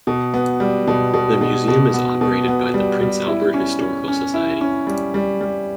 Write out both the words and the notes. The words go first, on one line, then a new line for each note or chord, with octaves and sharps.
The museum is operated by the Prince Albert Historical Society.
B2
B3
G3
B2
B2
B2
B2
B3
B2
B3
G3
G3
E4
C#4
C#4
C#4
E4
C#4
G3
G3
G3